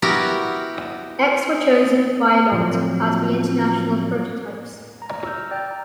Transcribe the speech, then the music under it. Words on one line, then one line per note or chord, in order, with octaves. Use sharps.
X were chosen by lot as the international prototypes.
B3 E4 F#4 G4 A#4
A2 F3 F#3 C4
A#5
A#5 E6 F6 G6
D5 G5 G6 A6
A#5